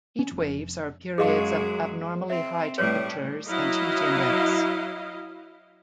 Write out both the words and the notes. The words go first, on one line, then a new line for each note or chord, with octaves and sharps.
Heat waves are periods of abnormally high temperatures and heat index.
C#4
F1
F#2 G#3 G#4 D#5 F5
C4 E5
A2 G3 B4 C#5
F#3 E4 D#5 F5